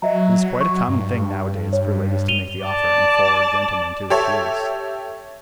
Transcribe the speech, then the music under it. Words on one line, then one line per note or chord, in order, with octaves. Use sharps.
It is quite a common thing nowadays for ladies to make the offer, and for gentlemen to refuse.
F#3 D#5 E5 A#5
C#6
G2
C#5
D#7 F7 G7
D5 A5
G4 A4 C#5 E5